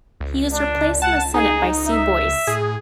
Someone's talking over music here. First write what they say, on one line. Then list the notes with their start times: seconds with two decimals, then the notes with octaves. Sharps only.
He was replaced in the Senate by Sue Boyce.
0.20 C#2
0.52 D4
1.02 F#5 A5
1.34 D#4 G#4
1.87 E5
2.47 A2 G#4